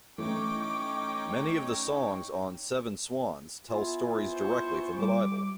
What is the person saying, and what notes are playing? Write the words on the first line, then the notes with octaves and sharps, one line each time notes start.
Many of the songs on Seven Swans tell stories directly from the Bible.
E3 A3 C#4 D#4 C#5 G5 D6
B3 E4 F4 G#5
C5 C#6
G3 D6